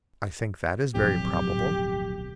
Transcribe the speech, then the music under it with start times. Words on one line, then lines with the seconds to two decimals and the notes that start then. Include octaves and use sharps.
"I think that is very probable."
0.95 D1 B1 F2 G4